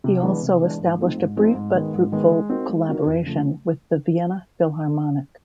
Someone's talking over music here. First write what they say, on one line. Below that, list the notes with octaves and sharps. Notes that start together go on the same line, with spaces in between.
He also established a brief but fruitful collaboration with the Vienna Philharmonic.
C3
E3 G#3 B3 D4
C3
E3 G#3 B3 D4
G#2
F3 A3 C4 D#4
G#2
F3 A3 C4 D#4
G#2
D#3 G#3 B3
G#2
D#3 G#3 B3
G#3
C4 D#4 F#4 A#4
G#3
C4 D#4 F#4 A#4
F2
C#3 F3 A3